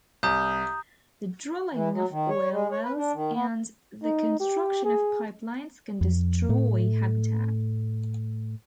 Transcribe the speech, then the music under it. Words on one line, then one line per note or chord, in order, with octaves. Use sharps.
The drilling of oil wells and the construction of pipelines can destroy habitat.
C2 A#5 D#6 G6
E3
F#3
D#3
C#5
G#3
C#5
B4
D4
D#3
B3
D#4
G4
G#4
F2
A2 A3